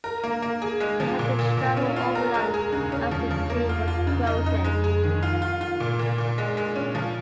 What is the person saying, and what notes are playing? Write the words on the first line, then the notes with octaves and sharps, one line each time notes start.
He had to travel overland as the sea was frozen.
A#4
A#3
A#3
G#4
G#3
F3
A#2
A#2
A#2
C#4
F4
A#4
G#3
G#4
C#3
C#4
F3
F3
A#3
F4
F4
C#3
D#4
D#4
G#3
G#4
D#3
F4
F4
F4
A#2
A#2
A#2
G#3
G#3
C#4
F3